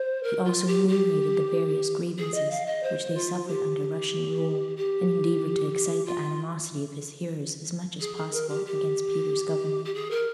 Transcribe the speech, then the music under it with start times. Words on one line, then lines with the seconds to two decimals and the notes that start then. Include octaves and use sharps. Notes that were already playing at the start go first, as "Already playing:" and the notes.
He also enumerated the various grievances which they suffered under Russian rule, and endeavored to excite the animosity of his hearers as much as possible against Peter's government.
Already playing: C5
0.23 A#4
0.44 F4
0.67 G4
0.88 G4
2.18 G#4
2.34 D#5
2.50 F5
2.66 D#5
2.83 C5
3.14 F4
3.48 G4
4.77 G4
6.05 F4
8.00 G#4
8.17 G#4
8.33 A#4
8.49 G4
8.65 G4
9.85 G4
9.94 G#4
10.10 A#4